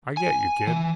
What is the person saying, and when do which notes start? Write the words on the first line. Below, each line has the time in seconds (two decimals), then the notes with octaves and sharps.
"I get you, kid."
0.17 G#5
0.67 E3